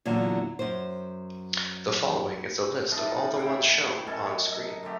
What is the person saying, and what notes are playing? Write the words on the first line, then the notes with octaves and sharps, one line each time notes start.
The following is a list of all the ones shown on-screen.
E2 A#2 D3 F#3
F#2 C5
A2 F3 D4 D#4
E4 C5 F#5 G5
F#2 A4 D#5 G#5
A#5
D3 F#3 A3 G4